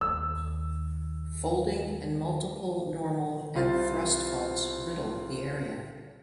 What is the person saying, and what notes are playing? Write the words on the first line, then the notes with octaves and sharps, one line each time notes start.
Folding and multiple normal and thrust faults riddle the area.
D#2 E6
C2 F4 C5 A6